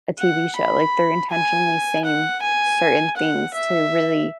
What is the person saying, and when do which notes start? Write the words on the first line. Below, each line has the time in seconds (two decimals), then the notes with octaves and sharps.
a TV show, like, they're intentionally saying certain things to really
0.19 F#5
0.56 B5
1.31 G#5
2.05 F#5
2.42 G#5
3.17 F#5
3.54 E5